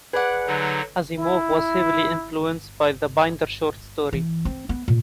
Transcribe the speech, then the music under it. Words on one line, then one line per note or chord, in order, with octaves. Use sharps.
Asimov was heavily influenced by the Binder short story.
G#4 B4 D5 F#5
D3 F#3 D#4
E4
E3
C4
B3
A#2